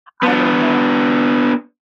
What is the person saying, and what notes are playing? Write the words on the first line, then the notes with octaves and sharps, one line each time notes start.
I don't know.
B3 D4